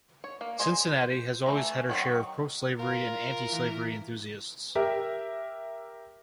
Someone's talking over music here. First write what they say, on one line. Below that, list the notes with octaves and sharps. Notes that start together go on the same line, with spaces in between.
Cincinnati has always had her share of pro-slavery and anti-slavery enthusiasts.
C#5
A#3
G#3 C5 D#5 G#5
C5
E3 F3 A3 A#5
D#3 F#3 C4
F4 A#4
E3
G4 A#4 E5